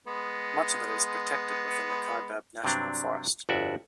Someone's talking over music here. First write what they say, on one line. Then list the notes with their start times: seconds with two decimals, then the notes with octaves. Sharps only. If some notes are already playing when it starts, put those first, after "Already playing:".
Much of it is protected within the Kaibab National Forest.
0.07 G#3 B3
2.64 G2 C3 F#3 C4 D4
3.49 G1 F2 F#4 D5 E5